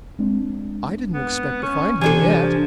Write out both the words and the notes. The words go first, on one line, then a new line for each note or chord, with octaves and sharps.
I didn't expect to find him yet.
G#3 C4 D4
B3
C#4
C3 E3 D4 A4 G#5
F3